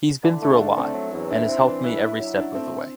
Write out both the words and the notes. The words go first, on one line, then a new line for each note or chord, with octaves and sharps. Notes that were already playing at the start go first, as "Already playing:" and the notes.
He's been through a lot and has helped me every step of the way.
D3 E4
A3
D4
D3
A3 C4
F#3
E2
D4 E4
C4
D4
E3
E4 B4
E4
F#3
D4 E4
A3 C4